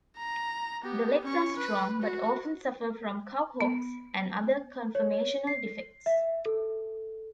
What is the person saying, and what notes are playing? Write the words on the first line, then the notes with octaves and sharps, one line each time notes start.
The legs are strong, but often suffer from cow hocks and other conformational defects.
A#5
B3 G4
C#4 C#6
B4
F#4
B3
C#5
C7
E5
A4